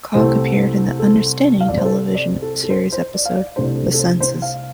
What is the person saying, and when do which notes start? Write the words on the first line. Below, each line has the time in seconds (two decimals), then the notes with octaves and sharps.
Cog appeared in the "Understanding" television series episode "The Senses".
0.14 C2 C3 A3 C4 C5
0.99 A4
1.61 F5
1.68 D5
1.78 C5
1.85 A4
2.14 D5
2.42 A4
2.63 A4
2.70 C5
2.92 C5
3.14 D5
3.25 F5
3.34 D5
3.56 C2 C3 A3 D4 C5
3.78 A4
3.94 A4
3.99 C5
4.20 C5
4.42 F5